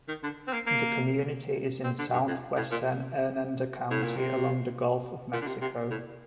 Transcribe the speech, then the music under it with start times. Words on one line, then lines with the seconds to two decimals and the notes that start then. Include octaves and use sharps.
The community is in southwestern Hernando County, along the Gulf of Mexico.
0.08 D#3
0.23 D3
0.48 C4
0.53 A#3
0.67 A#3
1.84 C4
1.99 D3
2.13 G2
2.27 F2
2.56 A2
2.71 A#2
3.91 A2
4.03 A#2
4.17 C3
5.33 A#2
5.41 D3
5.47 C3
5.62 C3
5.91 A2